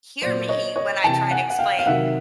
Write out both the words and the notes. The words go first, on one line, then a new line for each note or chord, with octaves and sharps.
hear me when I try to explain
A#2 F#3 C5 D5
C#5 D#5
C#5 D#5
C3 E3 G5 A5
F#5 G#5
F#5
F5 G5
F5
C3 D#3 F#3 E5 F#5